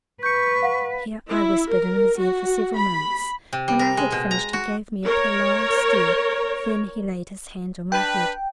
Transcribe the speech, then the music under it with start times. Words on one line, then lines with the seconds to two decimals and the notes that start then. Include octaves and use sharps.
Here I whispered in his ear for several minutes, when I had finished he gave me a prolonged stare, then he laid his hand on my head.
0.23 B4 C#6 G6 C#7
0.62 F5 F#5
1.30 E4
1.73 A#4
2.19 F#4
2.76 B5
3.53 C3
3.68 G3
3.79 A#4
3.97 G#3
4.12 B2
4.31 A#5
4.53 F#4
5.05 A#4 C#5
7.92 D4 B4 G5